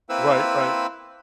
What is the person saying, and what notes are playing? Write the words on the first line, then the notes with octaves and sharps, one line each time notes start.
Right, right.
A#3 C4 E4 B4 C5 E6